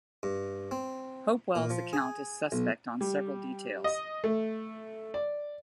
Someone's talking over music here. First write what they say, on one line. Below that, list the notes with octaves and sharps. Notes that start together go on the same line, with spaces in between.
Hopewell's account is suspect on several details.
G2
C4
A#2
F3
G#4
B1
G3
D#5
A3
D5